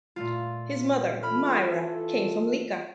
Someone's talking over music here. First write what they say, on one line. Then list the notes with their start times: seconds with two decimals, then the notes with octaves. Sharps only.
His mother Mira came from Lika.
0.16 A#2 A3 F4
1.23 E3 F4 A4 B5 F6